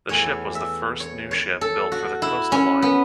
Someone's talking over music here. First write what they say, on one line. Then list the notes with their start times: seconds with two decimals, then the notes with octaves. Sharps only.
The ship was the first new ship built for the Costa Line.
0.09 E2 E3 A3 C#5
0.55 E5
1.00 C#5
1.31 C#5
1.61 A4
1.92 F#4
2.22 E4
2.52 C#4
2.82 B3